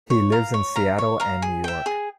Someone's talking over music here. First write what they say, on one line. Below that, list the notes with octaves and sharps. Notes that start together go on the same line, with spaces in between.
He lives in Seattle and New York.
C#5
F5 A#5
C#5
F5 A#5
C#5
F5 A#5
G#4
E5 G5
G#4